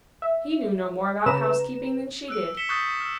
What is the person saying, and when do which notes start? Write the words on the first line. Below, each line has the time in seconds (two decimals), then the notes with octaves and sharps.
He knew no more about housekeeping than she did.
0.22 E5
1.26 C#3 B4 A#5 E7
2.28 E6 F#6 D7
2.57 B6 C#7 E7 G7
2.69 C#6 D#6 F#6 G6 A6 C7
2.86 C#6
3.01 E6 F6